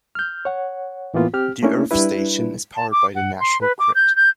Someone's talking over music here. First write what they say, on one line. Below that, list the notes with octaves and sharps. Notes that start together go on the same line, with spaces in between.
The earth station is powered by the National Grid.
F6 G6
C#5 F#5
A2 E3 A#3 B3 F4
C4 G4 F6
A3 A#3 C#4 D4 E4
G3 D4 E4 B4
A5
D6
F#5
C6
B4
D6
G6
G6